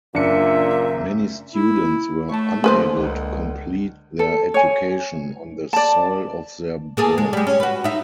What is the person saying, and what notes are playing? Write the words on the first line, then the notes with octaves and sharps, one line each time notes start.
Many students were unable to complete their education on the soil of their birth.
F#1 A#2 D4 E5 C#7
E4
A3 C#5 A5
D3 A#3 G#4 B4 C5
C#2
A4
C#5 G#5
D5 A5
A#3 G#4 A4
G#3
G3 G#3
C#4
F#4 B4
D#4 E5